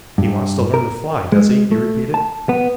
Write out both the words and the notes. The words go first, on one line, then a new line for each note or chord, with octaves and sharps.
"He wants to learn to fly, does he?" he repeated.
G2
A#4
G#3
A3
A5
B3